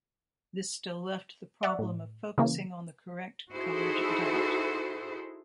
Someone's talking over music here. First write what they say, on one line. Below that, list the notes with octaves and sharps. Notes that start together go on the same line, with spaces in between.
This still left the problem of focusing on the correct colored dot.
D5 E5 F#5
A2
C#3 E3 A#3
D#4 E4 F#4 G#4 A4 C5